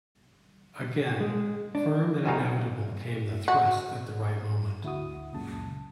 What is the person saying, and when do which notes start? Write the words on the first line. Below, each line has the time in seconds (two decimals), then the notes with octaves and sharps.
Again, firm and inevitable came the thrust at the right moment.
1.21 G#3
1.75 D4
2.26 B1 E2 A2 E3 D#4 F5
3.48 F#4
4.83 D2 E4 F#4 D#6
5.33 C#2 F#2 A#2 C#3 A5